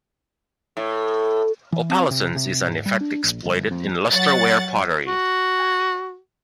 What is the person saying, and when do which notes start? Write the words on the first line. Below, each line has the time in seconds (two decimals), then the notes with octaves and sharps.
Opalescence is an effect exploited in lustreware pottery.
0.77 A2
1.72 E3
1.89 C4
2.11 C3
2.35 C3
2.67 G#2
2.86 G3
3.01 D4
3.24 A#1
3.45 G1
3.71 F2
4.12 F#3 F#5 A6
5.07 F#4